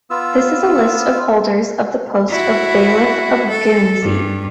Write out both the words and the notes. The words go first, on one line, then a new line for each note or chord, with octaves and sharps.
This is a list of holders of the post of Bailiff of Guernsey.
B3 F4 E6
E4 F#4
A4
G2